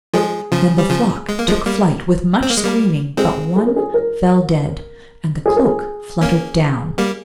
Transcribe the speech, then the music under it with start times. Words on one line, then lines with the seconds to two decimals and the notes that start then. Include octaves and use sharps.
Then the flock took flight with much screaming, but one fell dead, and the cloak fluttered down.
0.13 F3 G#3 G#4
0.52 C#3 F3
0.78 G3
0.90 C#3 F3
1.29 G#3
1.39 A#3
1.48 F3 G#3
1.66 G3 A#3
2.42 C4
2.50 A#3
2.57 G#3
2.64 G3 A#3
3.17 G#3 C4 G#4
3.56 G#4
3.67 A#4
3.76 G#4
3.94 A#4
5.46 G#4
5.56 A#4
5.65 G#4
6.21 A#3 C#4
6.98 G3 A#3